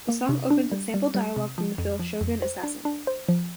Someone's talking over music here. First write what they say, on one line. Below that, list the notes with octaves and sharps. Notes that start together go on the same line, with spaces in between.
The song opens with sampled dialogue from the film "Shogun Assassin".
A#3
C3
D4
G3
G3
G3
C3
F3
F2
F3
F2
C5
D4
D4
C5
F3